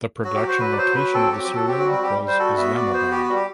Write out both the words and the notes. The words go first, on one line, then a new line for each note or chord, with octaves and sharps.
The production location of the serial was Islamabad.
F#3 F#4
G4
F#4
C5
F#3 B4
D5
F#3 C5
F#3 B4
C4 A4
F#3 G4
G4
F#3
A4
C4 G4
F#4
G3
F#4
G3 G4
G3
C5
F#4 A4
B3 E5
F#4 D5
B3 C5
F#4 G4
F#4
G3
G4